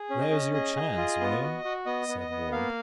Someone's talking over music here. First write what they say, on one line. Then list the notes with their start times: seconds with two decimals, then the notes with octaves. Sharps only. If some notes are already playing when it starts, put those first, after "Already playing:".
"There's your chance, William," said Ward.
Already playing: G#4
0.10 C#4
0.21 D#5
0.31 C#4
0.54 G#4 D#5
0.76 G#4
0.97 F4
1.20 B3
1.42 F#4
1.64 F#4
1.86 B3 D#5
2.08 B3
2.19 D#5
2.30 B3
2.52 A#3 F5